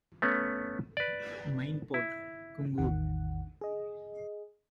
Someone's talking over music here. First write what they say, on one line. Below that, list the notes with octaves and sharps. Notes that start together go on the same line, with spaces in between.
Main port: Kungur.
A3 B3 C#4
B4 D5
E4
A1 E2 D#3 F#5
G#4 D#5